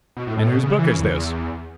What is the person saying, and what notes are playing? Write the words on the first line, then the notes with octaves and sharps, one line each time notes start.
"And whose book is this?"
B2
A2
A2
B2
C#3
E3
C#3
E2